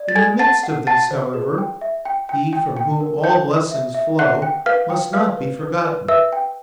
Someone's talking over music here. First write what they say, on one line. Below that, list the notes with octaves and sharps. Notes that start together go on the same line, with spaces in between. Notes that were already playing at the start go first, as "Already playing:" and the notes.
In the midst of this, however, He from whom all blessings flow must not be forgotten.
Already playing: D5
A6
A4 G#5 G#6
F#5 A5 A6
F#5
F#5 A5 A6
C5
G#4
G5
E5
G5
G5
G5
G5
A#4
C5 G5 G6
C5
E5
E5
E5 F#5 F#6
G5
B4 F5 F6
G5
B4 F5 F6
B4
B4
B4
B4 E5 E6
G5